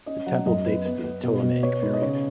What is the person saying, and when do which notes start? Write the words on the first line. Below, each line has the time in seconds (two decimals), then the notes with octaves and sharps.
The temple dates to the Ptolemaic period.
0.06 C#4 D#5
0.26 F#3 F#5
0.46 F#2 D#5
0.65 B3 B4
0.85 B3
1.04 B3
1.23 B2
1.43 B2
1.63 B3 C#5
1.82 G#2 B4
1.93 D#5
2.02 C#3 C#5